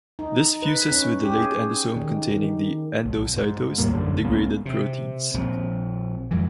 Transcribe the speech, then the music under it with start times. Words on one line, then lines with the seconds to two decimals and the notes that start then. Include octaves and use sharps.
This fuses with a late endosome containing the endocytosed, degraded proteins.
0.19 D#4
0.62 B4
0.91 C#4
1.23 G4
1.36 G#4
1.96 D#3
2.31 D#3
3.05 B1
3.36 G#2
3.78 D#2 A2 G3 A#3
3.92 A#1 F#2 D3
4.25 C2 A#3 B3 C#4
4.66 C3
5.34 A#1 F3 C4
6.31 F2 G#2 E3